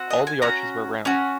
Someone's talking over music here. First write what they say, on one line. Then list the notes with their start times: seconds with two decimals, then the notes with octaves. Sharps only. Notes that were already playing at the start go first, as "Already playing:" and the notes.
All the arches were round.
Already playing: C4 F#4
0.10 D#5
0.27 G#5
0.42 C#4 F#4 A#5
1.05 C#4 F#4